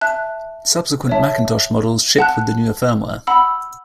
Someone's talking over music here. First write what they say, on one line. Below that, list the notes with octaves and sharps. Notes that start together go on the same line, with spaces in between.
Subsequent Macintosh models shipped with the newer firmware.
E5 A5 F#6
C#5 E5 A5
F#5 A5 F#6
F#5 B5 E6